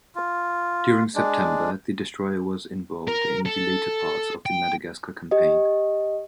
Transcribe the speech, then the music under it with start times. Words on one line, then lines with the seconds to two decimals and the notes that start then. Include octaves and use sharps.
During September, the destroyer was involved in the later parts of the Madagascar Campaign.
0.15 F4
1.15 G#3 D4
3.08 A#4
3.46 A4
4.46 G5
5.31 G4 D#5